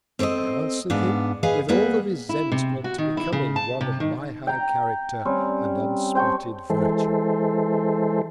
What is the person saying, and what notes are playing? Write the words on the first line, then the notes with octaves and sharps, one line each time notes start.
I answer'd him with all the Resentment becoming one of my high Character and unspotted Virtue.
C4 A4 C5 C#5 D#5
G#2 B3 D4 F5
G#4 B4 D#5 F5 G#5
G3 A#3 B3 G#4 B4
E4
C3
F#4
D#3
E4
C#3
A5
C3
D#3
G5 A#5
G3 C4 C#4
C5 G5 A5 C#6
E3 G#3 A4 C5